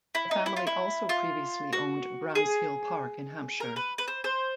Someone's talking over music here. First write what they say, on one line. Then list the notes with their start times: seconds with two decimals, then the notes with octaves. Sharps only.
The family also previously owned Bramshill Park in Hampshire.
0.15 E4
0.31 D#4
0.46 E4
0.56 F4
0.67 E4
1.09 F4
1.73 F#4
2.35 G#4
3.60 A#4
3.76 B4
3.98 B4
4.08 C5
4.24 C5